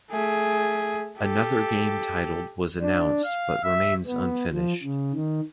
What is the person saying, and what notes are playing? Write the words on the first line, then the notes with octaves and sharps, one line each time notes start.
Another game titled was announced but remains unfinished.
A3 G#4
G4 A4
D4
F5
E5
B3
F3
C#3
D#3